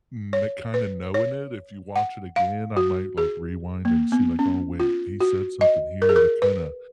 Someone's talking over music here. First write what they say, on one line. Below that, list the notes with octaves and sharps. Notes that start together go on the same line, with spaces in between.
mm, kinda, knowing it. If you watch it again, I might, like, rewind and see, like, oh, wait, he said something here to kinda
C#5
B4
C#5
F#5
F5
F#4
G#4
A#3
B3
C#4
F4
F#4
D#5
A#4
G#4
A#4
B4